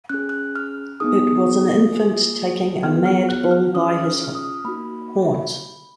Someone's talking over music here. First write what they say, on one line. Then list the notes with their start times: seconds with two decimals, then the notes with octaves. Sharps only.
It was an infant taking a mad bull by his horns.
0.09 C#4 G#4 F#6
0.29 F#6
0.56 F6
1.00 B3 D#4 G#4 D#6
1.92 A#3 F4 G#4
2.83 B3 F4 G#4 F6
3.06 F6
3.29 F#6
3.51 F6
3.74 C#4 F4 G#4 D#6
4.04 F6
4.24 F6
4.35 D#6
4.65 A#3 D#4 F#4 B5